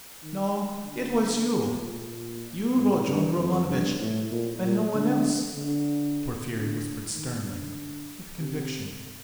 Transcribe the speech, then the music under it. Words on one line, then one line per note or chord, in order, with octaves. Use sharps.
"No, it was you, you Rodion Romanovitch, and no one else," Porfiry whispered sternly, with conviction.
D#3
D3
A#2
A2
G2
F2
G2
A2
A#2
A#2
D3
D3
D3
D#3
D3
C3